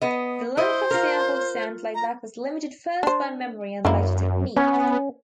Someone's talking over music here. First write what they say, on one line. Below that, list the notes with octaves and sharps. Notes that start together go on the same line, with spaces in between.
The length of sampled sound playback was limited first by memory and later technique.
B3 D#5
E4 C5 D#5
F4 A#4
A#5
D4 C5
F#2 D3 A#3 E4
B3 C#4